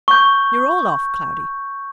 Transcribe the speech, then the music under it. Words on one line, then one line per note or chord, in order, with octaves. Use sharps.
You're all off, Cloudy.
C#6 G6